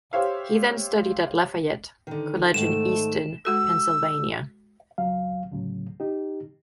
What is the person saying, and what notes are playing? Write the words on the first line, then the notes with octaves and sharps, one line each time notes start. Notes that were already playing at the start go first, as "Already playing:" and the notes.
He then studied at Lafayette College in Easton, Pennsylvania.
G4 C5 C#5 E5 F5
D3 D#3
G#2 D#3 A3 E7
G#3 F#4 A4 E6
C#2 F#3 F5
D2 A2 C#3 F#3
D#4 G4